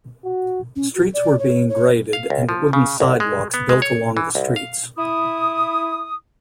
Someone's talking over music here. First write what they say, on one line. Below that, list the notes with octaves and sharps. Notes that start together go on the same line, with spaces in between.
Streets were being graded and wooden sidewalks built along the streets.
F#4
C#4
F#4
D5
C#5
C#5
F5
C#2
F3
C#3
C2
G#3
B3
G#3
C#5
E3
C2
F5
E4 D#6